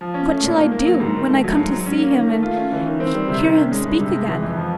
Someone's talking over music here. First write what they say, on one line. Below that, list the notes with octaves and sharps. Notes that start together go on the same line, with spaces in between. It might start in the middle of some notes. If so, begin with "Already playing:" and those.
What shall I do when I come to see him and hear him speak again!'
F3
C#4
A3
A#2
D#3
A#3
F#3
G#2
D#3
A3
F#3
G#2
F#3
C#4
A#3
D#3
A3
F4
C#4
E3
D#3
C4
G3
C3
D#3
C#4
G#3
G2
C3
G#3
E3
F2
F3